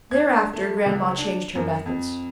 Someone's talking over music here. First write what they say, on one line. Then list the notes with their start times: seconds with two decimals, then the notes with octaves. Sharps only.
Thereafter grandma changed her methods.
0.11 G#6
0.27 D4
0.53 A3
0.86 C#2
1.18 D4
1.55 F#2
1.86 F2